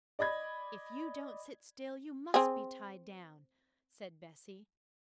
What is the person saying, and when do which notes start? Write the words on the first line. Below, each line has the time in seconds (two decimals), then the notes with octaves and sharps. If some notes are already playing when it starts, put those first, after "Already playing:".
"If you don't sit still, you must be tied down," said Bessie.
0.19 D5 D#5 B5 G#6
2.34 C4 G#4